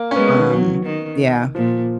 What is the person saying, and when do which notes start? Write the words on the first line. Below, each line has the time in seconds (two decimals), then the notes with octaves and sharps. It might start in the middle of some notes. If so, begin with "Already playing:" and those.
um, yeah.
Already playing: A#3
0.11 C#4
0.16 G#3 B3
0.27 B3
0.39 D#3
0.50 F#3
0.85 D#3
1.55 A#2 F3